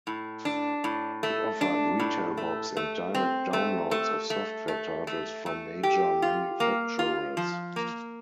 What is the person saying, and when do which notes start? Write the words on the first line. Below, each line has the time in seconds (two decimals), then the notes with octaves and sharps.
It offered retail box and direct downloads of software titles from major manufacturers.
0.07 A2
0.45 D4
0.84 A2
1.23 A3
1.61 D4
2.00 A2
2.37 A3
2.77 A3
3.15 C4
3.53 A3
3.91 A3
4.30 A3
4.68 A3
5.07 A3
5.46 A3
5.83 G4
6.22 F4
6.60 A#3
6.99 F4
7.37 F3
7.76 A#3